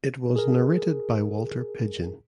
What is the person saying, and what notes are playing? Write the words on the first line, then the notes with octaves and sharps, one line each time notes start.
It was narrated by Walter Pidgeon.
G#4 A#4